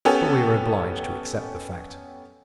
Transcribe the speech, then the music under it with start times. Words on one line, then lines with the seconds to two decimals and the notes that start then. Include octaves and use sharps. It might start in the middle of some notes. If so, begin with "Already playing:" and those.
But we are obliged to accept the fact.
0.05 B3 C#4 G4 A4